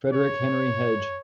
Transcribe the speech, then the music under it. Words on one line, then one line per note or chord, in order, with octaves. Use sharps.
Frederic Henry Hedge.
C#5